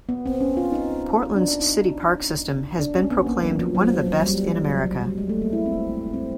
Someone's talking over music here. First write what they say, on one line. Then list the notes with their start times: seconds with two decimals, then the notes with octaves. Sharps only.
Portland's city park system has been proclaimed one of the best in America.
0.09 B3
0.26 C4
0.41 C#4
0.57 F4
0.72 D#4
1.36 D4
1.60 D#4
2.79 D4
2.95 C#4
3.11 B3
3.26 A#3
3.43 F#3
3.59 F3
3.75 F#3
3.90 F#3
4.06 F#3
4.22 G3
4.69 F#3
4.86 F#3
5.02 G3
5.18 G#3
5.29 A3
5.42 A#3
5.53 E4
5.66 C4
6.14 C4